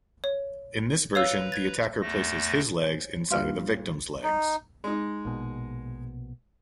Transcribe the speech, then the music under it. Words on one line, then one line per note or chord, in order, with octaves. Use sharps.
In this version the attacker places his legs inside of the victim's legs.
C#5
B4 C#5 F5 A#5 E6
G#6 A6
E2 A3 A#6
C5 C#5 G#5
G2 A#2 G3 B4 F5 C6
D#4
G#3 D#4
A#1 B2